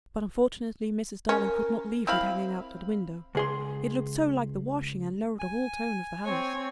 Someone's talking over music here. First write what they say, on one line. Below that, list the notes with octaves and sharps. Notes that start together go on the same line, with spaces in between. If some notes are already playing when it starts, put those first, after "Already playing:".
But unfortunately Mrs. Darling could not leave it hanging out at the window, it looked so like the washing and lowered the whole tone of the house.
C#4 A#4
C4 E4 F5 B5
C#2 G#4 C6
G#5
C4 C#5